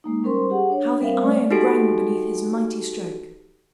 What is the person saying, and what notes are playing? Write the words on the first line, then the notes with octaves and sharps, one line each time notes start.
How the iron rang beneath his mighty stroke!
G#3 A#3 D#4
G3 C#4 A#4 C5 C6 C#6
G4 G#4 F#5
D4 C#5
G3 C4 A#4 C5 E5 F5
A3 D5
D#4 F#4 G4 A4 D7